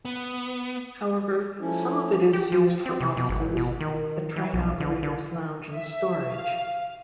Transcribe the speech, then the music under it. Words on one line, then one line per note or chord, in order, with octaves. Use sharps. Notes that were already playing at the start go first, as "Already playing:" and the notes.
However, some of it is used for offices, a train operators' lounge and storage.
B3
F3 A3 C#4 E4
G4
F3
C4
C3
B2
G#1
B2
D#3
E3
B1
D3
D3
E5
F5